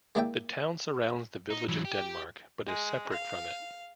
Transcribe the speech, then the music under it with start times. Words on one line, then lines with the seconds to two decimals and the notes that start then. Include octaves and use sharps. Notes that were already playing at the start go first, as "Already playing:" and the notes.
The town surrounds the village of Denmark but is separate from it.
0.15 G#3 A#3 E4 D5 E5 G5
1.50 D#4
1.68 E3 F#3
1.85 G4
2.67 G#3
3.12 F5